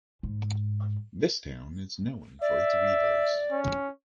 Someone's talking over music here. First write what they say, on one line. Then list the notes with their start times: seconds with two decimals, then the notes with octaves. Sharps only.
This town is known for its weavers.
0.23 G#2
2.42 D5 E5
3.51 C#4